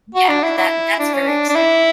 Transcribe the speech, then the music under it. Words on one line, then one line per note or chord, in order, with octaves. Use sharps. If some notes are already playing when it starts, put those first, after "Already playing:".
Yeah, that that's very exciting.
F#4
D4
E4
E4
D4
C#4
D4
D4
E4